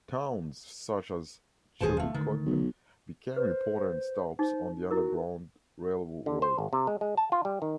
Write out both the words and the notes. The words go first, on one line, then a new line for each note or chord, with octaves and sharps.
Towns such as Chillicothe became important stops on the Underground Railroad.
E1 D#2 A#2 G#4 C5 A5
F3 A3
D3 D#3 A3
B1
B4 C5
D#4 C5
E4 F#4 A#4
D3
C5
G#1
C3
G#3
G#3
A5
F4
G3
D#3